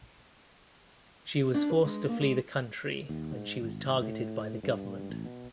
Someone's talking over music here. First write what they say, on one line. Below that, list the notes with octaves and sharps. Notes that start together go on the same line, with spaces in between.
She was forced to flee the country when she was targeted by the government.
D4
B4
G#3
A#3
G#3
D#2
G#2
G#1
A2
G2
A1
B2